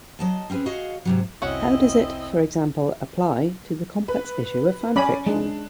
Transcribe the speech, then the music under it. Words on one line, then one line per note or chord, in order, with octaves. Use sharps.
How does it, for example, apply to the complex issue of fan fiction?
F#3 D#5 A5
C4 C#4 F4 G#4 B4
F#4 G#4 C#5 D#5 F5
G#2 C3 F#3
F1 C2 C4 C#4 E4 F#4 D#5 F#5
B4
C#4 D5 G#5 B5
G#3 D4